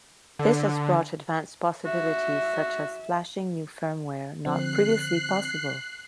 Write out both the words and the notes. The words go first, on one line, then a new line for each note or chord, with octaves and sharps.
This has brought advanced possibilities such as flashing new firmware, not previously possible.
D3
F#4 E5
D3 F3 C4 F#6 C7